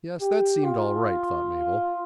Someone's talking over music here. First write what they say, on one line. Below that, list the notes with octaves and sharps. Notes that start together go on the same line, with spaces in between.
Yes--that seemed all right, thought Mabel.
G4
F4